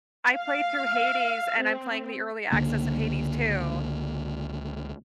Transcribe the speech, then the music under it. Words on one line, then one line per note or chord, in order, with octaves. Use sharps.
I played through Hades and I'm playing the early access of Hades II-
F5
C4
C#2 D3 A#3